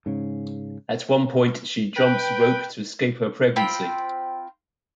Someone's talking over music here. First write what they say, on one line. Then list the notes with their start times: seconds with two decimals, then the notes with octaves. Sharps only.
At one point, she jumps rope to escape her pregnancy.
0.06 G#2 C#3
1.97 B4 G5
3.56 C4 F4 G5 B5